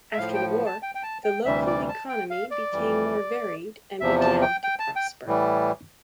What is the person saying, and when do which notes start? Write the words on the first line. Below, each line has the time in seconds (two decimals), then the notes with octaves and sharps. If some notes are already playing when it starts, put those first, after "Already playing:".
After the war, the local economy became more varied and began to prosper.
0.13 E5
0.18 A2 F3 F5
0.34 G5
0.66 A5
0.83 G5
0.95 G5
1.03 A5
1.24 G5
1.45 D2 C3 E3 G3 E5
1.67 D5
1.89 A5
2.09 G5
2.30 F5
2.51 D5
2.73 F2 E3 G3
4.00 E2 C3 F3 E5
4.21 A5
4.42 G5
4.64 G5
4.79 A5
4.96 G5
5.26 A2 E3 G3